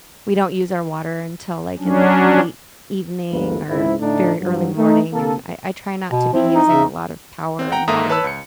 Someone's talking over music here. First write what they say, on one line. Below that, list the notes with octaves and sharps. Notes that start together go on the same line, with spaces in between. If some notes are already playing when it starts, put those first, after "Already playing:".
we don't use our water until like in the late evening or very early morning, and I I try not to be using a lot of power and water
F#3 C#4 D4
G1 D2 G#3 A#3 B4
C#2 G#2 C4 E4
A2 D3 A3 D4 D#4
G2 F3 F#3
A3 D#4
C3 A#3 A4
B2
F3 C4 E4
D#4
C#3 E5
C4
F#5 G5 A#5
G#2 A#3 A4 E5 A#5 D#6
B4 C#5 A5 B5 E6
C#2 C#7